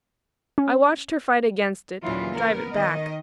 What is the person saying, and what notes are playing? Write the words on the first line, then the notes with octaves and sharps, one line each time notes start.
I watched her fight against it, drive it back.
C#4
D#2 A#2 C#3 E3 F#3 F4
B3 A#4
D#3 D#5